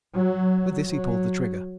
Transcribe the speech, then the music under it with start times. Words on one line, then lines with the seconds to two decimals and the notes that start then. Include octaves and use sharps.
With this he pulled the trigger.
0.16 F#3
0.88 F#3